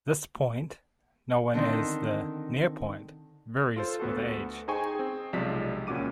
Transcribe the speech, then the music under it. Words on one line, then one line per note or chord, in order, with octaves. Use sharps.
This point, known as the "near point", varies with age.
D3 D#3 C4 D#4
F4 A4 C5
D2 B3 F#4 A4
D#4 G#4 C5 G5 G#5 C#6
C4 G#4
B1 C3 F3 G#3 D5 B6
C#2 A#2 C#4 F#4 D6 D#7